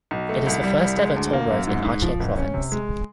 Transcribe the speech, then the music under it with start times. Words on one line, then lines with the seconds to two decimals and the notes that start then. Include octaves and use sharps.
It is the first ever toll road in Aceh province.
0.11 B1
0.29 A3
0.47 C2
0.63 G3
0.81 C2
0.98 G#3
1.16 D2
1.33 A#3
1.51 F#2
1.67 G#2
1.84 G#2
2.02 F3
2.20 F#1
2.37 C#4
2.54 C3
2.72 G#3